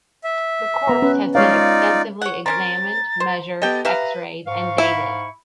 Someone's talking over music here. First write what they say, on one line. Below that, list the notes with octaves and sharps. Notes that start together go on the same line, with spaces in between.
The corpse has been extensively examined, measured, X-rayed, and dated.
E5
B3 A#5
C#4 B4
G#3 D#4 F4 C#5 D5 F5
C#5 F#5
C4 C#4 A#4 A#5 A6
C5
B3 G4 A4 D#5 G5 A6
G4 B4 E5 F5 A#5
G#2 F5 C#6
E4